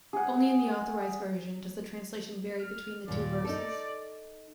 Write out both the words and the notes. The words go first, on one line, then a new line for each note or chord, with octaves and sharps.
Only in the Authorized Version does the translation vary between the two verses.
G#4 F#5
F6
D#2 A#2 D5
D#4 A4